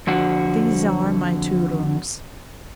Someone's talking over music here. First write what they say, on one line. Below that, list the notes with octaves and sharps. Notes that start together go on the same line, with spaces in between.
These are my two rooms.
F2 D3 F#4